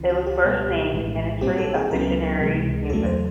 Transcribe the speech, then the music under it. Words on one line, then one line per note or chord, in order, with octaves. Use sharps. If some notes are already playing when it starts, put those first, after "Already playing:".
It was first named "Ministry of Missionary Music".
Already playing: C#2 C#3 E3
F#4
G4
C#2 B2 G3 B3
A#1 A2 E3 G#3
B1 A#2 G3 C4 G4
A4
G#4
C#2 C#3 F#3 B3 A#4
C#2 C3 E3 G#3
E2 C#3 F#3 A3 A4
C5